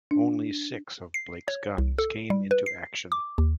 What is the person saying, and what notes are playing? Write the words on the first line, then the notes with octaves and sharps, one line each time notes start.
Only six of Blake's guns came into action.
D4
C7
C#5
C2
A4
G3
B4
C7
D6
D#2